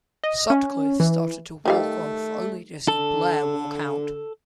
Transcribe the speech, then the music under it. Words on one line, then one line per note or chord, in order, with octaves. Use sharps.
Sutcliffe started to walk off only to see Blair walk out.
D#5
C#4
E3
D#3 G3 A3 F5
D3 A4